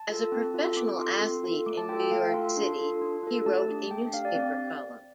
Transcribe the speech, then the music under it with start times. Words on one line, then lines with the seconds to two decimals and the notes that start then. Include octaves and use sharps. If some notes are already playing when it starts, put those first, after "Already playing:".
As a professional athlete in New York City, he wrote a newspaper column.
Already playing: A5
0.09 F4 A4
0.32 C4
0.54 F4 A4
0.77 C4 D6
0.99 F4 A4 C6
1.21 C4
1.43 F4 A4
1.66 A3 D6
1.77 A5
1.89 F4 A4 G5
2.00 G5
2.11 A3 F5
2.34 F4 A4 C6
2.56 D4 C6
2.79 F4 A4
3.01 D4
3.23 F4 A4
3.46 A3 A5
3.68 D4 G4
3.91 A3 G5
4.02 G5
4.13 D4 G4 F5
4.25 D5
4.35 C4 D5